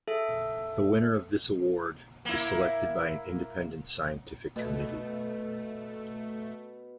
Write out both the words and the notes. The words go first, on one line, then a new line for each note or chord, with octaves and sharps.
The winner of this award is selected by an independent scientific committee.
G#4 A4 E5
A#3 E4
B2 A3 B3